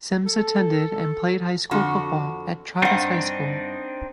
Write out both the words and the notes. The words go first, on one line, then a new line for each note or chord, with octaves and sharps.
Sims attended and played high school football at Travis High School.
A4
F2 D3 F#4
G2 C4 D4 D#4 F#5